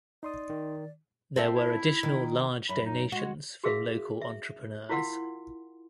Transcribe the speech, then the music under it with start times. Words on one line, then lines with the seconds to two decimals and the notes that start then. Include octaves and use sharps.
There were additional large donations from local entrepreneurs.
0.23 D#4 D5 C6 D#6
0.50 D#3
1.36 C4 A4 E5
1.54 E4
2.03 D#3
2.69 F#2 B5
2.85 D#4
3.12 G#3 F#4
3.64 F#4 G#4 A#4 E5 F5
4.21 E5
4.89 E4 F4 A#4 F5 F#5 C6